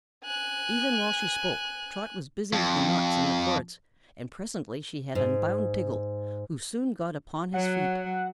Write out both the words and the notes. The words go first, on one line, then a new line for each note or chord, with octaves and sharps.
Even while she spoke Trot was busy with the knots in the cords, and presently she had unbound Tiggle, who soon got upon his feet.
G#5 F#6
F2
G#2
F#3 C#5 F#5